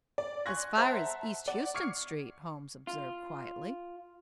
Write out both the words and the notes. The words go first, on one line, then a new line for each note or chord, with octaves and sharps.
"As far as East Houston Street," Holmes observed, quietly.
D5
G#5 C6 C#6 F#6 G#6 A#6
C5 E5 F#5 A5 A#5 C6
D5 F#5
C#6 D6 F6 G#6 C7 C#7
F4